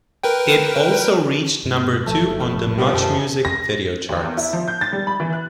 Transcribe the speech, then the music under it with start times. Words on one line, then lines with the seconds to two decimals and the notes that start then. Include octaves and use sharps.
It also reached number two on the "MuchMusic" video charts.
0.23 A#4 B4 G5
1.65 G2 A3
2.06 F#1 C#2 F3 A3 E5 F5
2.40 F5 B5 C#6
2.77 G2 B2 D#3 F3 G3
2.93 F#2 G#4 E5 A5
3.45 A#6
4.09 D#2
4.23 E2
4.37 E4
4.53 F3
4.68 G6
4.81 A6
4.93 G3
5.07 B5
5.20 E3
5.32 F#6